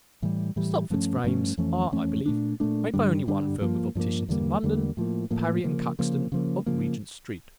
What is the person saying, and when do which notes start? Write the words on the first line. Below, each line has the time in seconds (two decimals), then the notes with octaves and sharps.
Stopford's frames are, I believe, made by only one firm of opticians in London, Parry & Cuxton of Regent Street.
0.22 A2 E3 G3
0.56 A2 E3 G3
0.90 G2 F3 A3 C#4
1.24 G2 F3 A3 C#4
1.58 F2 E3 A3 C#4
1.92 F2 E3 A3 C#4
2.26 A#2 A3 D4
2.60 A#2 A3 D4
2.94 G2 D3 G3 D4
3.27 G2 D3 G3 D4
3.61 G2 F3 A#3
3.95 G2 F3 A#3
4.29 E2 D3 G3 A#3
4.63 E2 D3 G3 A#3
4.97 A2 F3 A#3
5.30 A2 F3 A#3
5.64 C#3 F3 A#3
5.99 C#3 F3 A#3
6.32 C#3 F3 A#3
6.66 C#3 F3 A#3